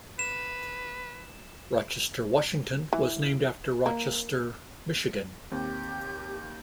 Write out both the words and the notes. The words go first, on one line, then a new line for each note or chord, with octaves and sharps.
Rochester, Washington was named after Rochester, Michigan.
B4 E7
E3
A#3
D#2 C4 G4 G6